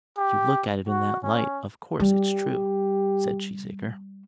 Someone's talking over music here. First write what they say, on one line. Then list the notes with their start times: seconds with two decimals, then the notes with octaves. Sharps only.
"If you look at it in that light, of course it's true," said Cheesacre.
0.17 G4
0.88 F#4
1.23 C#4
2.00 G3 G4